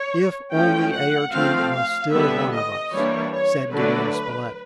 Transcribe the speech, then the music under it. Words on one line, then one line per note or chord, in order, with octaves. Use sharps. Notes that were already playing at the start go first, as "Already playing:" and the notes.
"If only Ayrton was still one of us!" said Gideon Spilett.
Already playing: C#5
F3 A3 C#4 G5
F#5
F3 A3 C4 F5
F5
D3 G3 B3 E5
D#5
E3 G3 A#3 D4 C#5
C#5
D3 F#3 A3 D4 B4